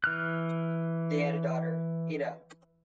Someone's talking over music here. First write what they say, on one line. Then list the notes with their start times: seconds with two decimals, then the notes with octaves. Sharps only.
They had a daughter: Itta.
0.04 E3 F6 F#6